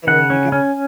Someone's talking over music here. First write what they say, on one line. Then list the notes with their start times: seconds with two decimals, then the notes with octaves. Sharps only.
There you go
0.07 C#3 F#5
0.30 C#4
0.52 C#4